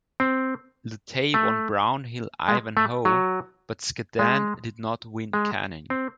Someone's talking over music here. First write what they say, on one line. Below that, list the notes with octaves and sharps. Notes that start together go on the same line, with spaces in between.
Lutey won Brownhill-Ivanhoe, but Scaddan did not win Canning.
C4
A3
G#3
A3
F#3
G#3
G#3
C4